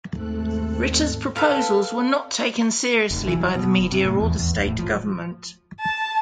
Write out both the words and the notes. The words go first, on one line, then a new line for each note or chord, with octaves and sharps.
Ritter’s proposals were not taken seriously by the media or the state government.
D#2 G#2 A3 C4 A4 F#6
A4 B4 F5 G5
F1
E3
F#3
B2
F#1
C3
A2
E2
E2
D1
A2
F3
A5